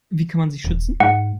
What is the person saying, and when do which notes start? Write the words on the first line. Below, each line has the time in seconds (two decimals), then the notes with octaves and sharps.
Wie kann man sich schützen?
0.65 D#1
1.00 G#2 F#5